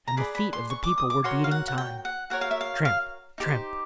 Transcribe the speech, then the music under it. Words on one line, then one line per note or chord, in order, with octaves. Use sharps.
And the feet of the people were beating time--tramp, tramp.
A#5
G#4 B4 D5 B5
B5
C6
C#6
D6
D#6
D6
F#4 A#4 C#5 C6
F5
F#5
F#5
G5
F#5
F#4 A#4 C#5 F#5
F5
E5
F5
F5
D#4 G4 C5